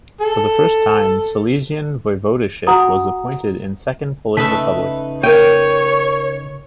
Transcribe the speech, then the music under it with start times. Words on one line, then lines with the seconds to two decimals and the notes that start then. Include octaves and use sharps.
For the first time Silesian Voivodeship was appointed in Second Polish Republic.
0.21 A4
2.67 F#4 F#5 A#5 D#6
4.37 C#3 A3 D#4 B4 E5 B6
5.23 A#4 C#5 G5 D#7